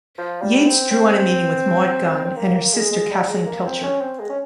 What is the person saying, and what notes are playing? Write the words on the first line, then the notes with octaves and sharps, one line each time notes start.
Yeats drew on a meeting with Maud Gonne and her sister Kathleen Pilcher.
F3
G3
C4
C4
C4
A#3
A#3
G#3
G#3
G3
G#3
A#3
C4
C#4
C4
G#3
C#4